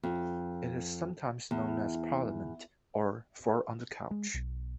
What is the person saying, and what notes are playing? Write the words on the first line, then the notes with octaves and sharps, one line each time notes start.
It is sometimes known as "Parliament" or "Four on the Couch".
F2
E2
G#3
B1